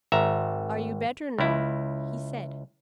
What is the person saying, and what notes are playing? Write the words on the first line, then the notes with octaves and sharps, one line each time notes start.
'Are you better now?' he said.
G#1 E5 A#5
C#2 E4